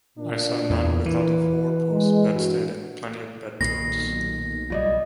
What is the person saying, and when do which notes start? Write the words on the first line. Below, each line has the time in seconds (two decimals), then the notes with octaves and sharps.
I saw none without a four-post bedstead and plenty of bedclothes.
0.18 A#2 D4
0.70 E2
1.06 E3 B4
1.92 G#3
2.33 G2 F#4
3.61 B1 A#2 D#3 A3 A#6 C7
4.70 C#2 F3 G3 F4 D5 D#5